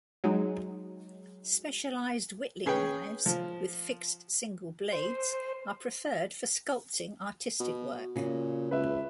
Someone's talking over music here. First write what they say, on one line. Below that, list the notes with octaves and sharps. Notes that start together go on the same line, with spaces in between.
Specialized whittling knives, with fixed single blades, are preferred for sculpting artistic work.
F#3 G#3 D#4
C#4 G#4 B4 G5
F3
C5
B2
A#2 C#3 F#4
C#2 B4 E5